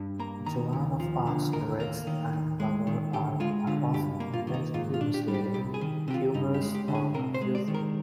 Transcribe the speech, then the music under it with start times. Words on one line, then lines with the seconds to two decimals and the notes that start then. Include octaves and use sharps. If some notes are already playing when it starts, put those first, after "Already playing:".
Joan of Arc's lyrics and cover art are often intentionally misleading, humorous, or confusing.
Already playing: G2
0.20 A#3 A#5
0.46 D#3 A#5
0.73 D#2
1.00 F3
1.27 D3
1.53 D#2 A#4
1.80 A#3
2.07 D#3
2.33 D#2
2.60 G#3
2.87 D#3
3.13 D2 G4
3.40 G#3 F4
3.67 D3 F4
3.94 G2 G4
4.20 A#3
4.34 F4
4.47 D#3
4.54 D#4
4.74 G#2 F4
4.94 F4
5.01 D4
5.14 G4
5.28 G3
5.34 G4
5.54 C2 G4
5.74 G#4
5.81 D#3
6.08 C3 G4
6.14 F4
6.34 G2 D#4
6.54 G4
6.61 G#3
6.75 G4
6.88 D3
6.95 G#4
7.14 C3 A#4
7.34 C5
7.41 G#3
7.55 D5
7.68 D#3
7.74 A#4